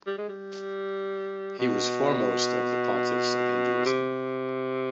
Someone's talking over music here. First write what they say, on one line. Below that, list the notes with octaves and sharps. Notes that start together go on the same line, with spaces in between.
He was foremost of the pontiffs of Hinduism.
G3
G#3
G3
B2
C3